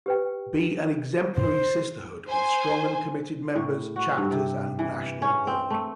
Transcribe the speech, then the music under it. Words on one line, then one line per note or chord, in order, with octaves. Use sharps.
Be an exemplary sisterhood with strong and committed members, chapters and national board.
G4 B4 G5
C5
C5 G#5
A2
F#4
G2
C3
E3
C#4
C4
A3